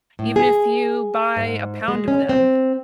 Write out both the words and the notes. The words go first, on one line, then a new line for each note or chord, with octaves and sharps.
even if you buy a pound of them.
A2
G#4
G#2
G#3
C#4
C4